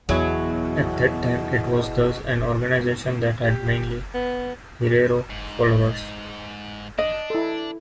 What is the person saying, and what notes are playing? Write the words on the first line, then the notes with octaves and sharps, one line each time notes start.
At that time it was thus an organisation that had mainly Herero followers.
E2 B2 F#3 E4 G#4
G4
B3
G#2
D4 D#5
E4 A4